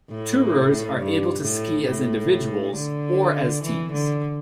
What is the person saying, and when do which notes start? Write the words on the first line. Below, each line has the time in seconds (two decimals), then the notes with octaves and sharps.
Tourers are able to ski as individuals, or as teams.
0.10 A2
0.99 G2
1.43 A2
1.87 A2
2.75 D3
3.64 E3
3.92 D3